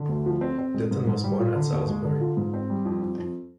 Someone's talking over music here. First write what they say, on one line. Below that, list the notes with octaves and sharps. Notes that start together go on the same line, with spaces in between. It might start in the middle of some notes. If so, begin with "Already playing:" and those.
Ditton was born at Salisbury.
Already playing: D3
D2
F3
C4
C4
G#3
G#2
G#2
G3
F4
D3
D#2
G#3
D3
F4
G#2
C4
G3
F2
F2
F2